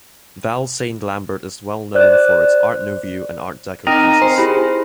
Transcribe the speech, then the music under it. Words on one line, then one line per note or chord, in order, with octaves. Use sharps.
Val Saint Lambert is well known for its Art Nouveau and Art Deco pieces.
C5 D5 F#6
C4 D#4 A#4 D#5 G5 A#5
C5 G#5
E4 G4 G#4 B5